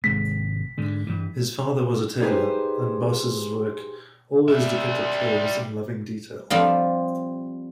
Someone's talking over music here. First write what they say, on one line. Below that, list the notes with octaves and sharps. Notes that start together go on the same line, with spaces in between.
His father was a tailor, and Bosse's work always depicted clothes in loving detail.
G#1 C3 G#3 B6
G#2 D3
G2 E3
D#4 G4 G#4 B4 C5
G3 E5
F3 G3 C4 F4